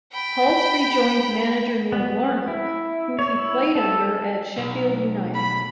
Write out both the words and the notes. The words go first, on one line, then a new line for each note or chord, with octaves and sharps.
Hulse rejoined manager Neil Warnock who he played under at Sheffield United.
G5 B5
B3
E4
C#5
E4
A4
B1
B5